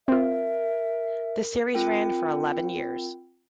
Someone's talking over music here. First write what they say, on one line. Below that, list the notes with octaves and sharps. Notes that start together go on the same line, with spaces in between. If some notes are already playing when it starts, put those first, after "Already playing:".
The series ran for eleven years.
C4 F4 A#4 E5
C4 F4 A#4 G5